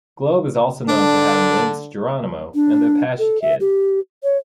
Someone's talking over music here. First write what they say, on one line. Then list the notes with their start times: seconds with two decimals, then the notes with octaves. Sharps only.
Globe is also known for having links to Geronimo and the Apache Kid.
0.88 D3 D4
2.55 D4
3.19 A4
3.42 E5
3.60 G4
4.23 C#5